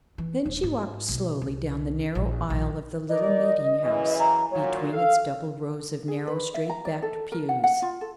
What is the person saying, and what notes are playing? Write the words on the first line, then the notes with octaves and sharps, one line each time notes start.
Then she walked slowly down the narrow aisle of the little meeting-house, between its double rows of narrow straight-backed pews.
E3
D#1
G#2
B1
C2
A#1
A#1
D#4 A#4 D5 D#5
F#2 C#3 E3
A#5
A#2 F#3 C#5
A4 F5
G#4
B4
E5
A#5
D5
A4
A#4
F#5
F#5
F4
A4